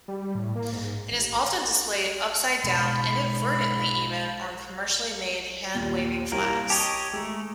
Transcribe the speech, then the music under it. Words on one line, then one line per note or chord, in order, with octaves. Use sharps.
It is often displayed upside down inadvertently-even on commercially-made hand waving flags.
G3
A2
A#3
G#2
A1
G#2 B2 G#3 B3 B5
D#2 A#2
C2 A#3 A#4
G4 C#5 D#5 A5
G#3 A3 A#5